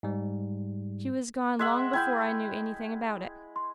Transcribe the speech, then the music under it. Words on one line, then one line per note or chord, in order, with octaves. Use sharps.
She was gone long before I knew any thing about it.
G#2 G3
G#3 E5 F#5
E4 G5 G#5 G6
C6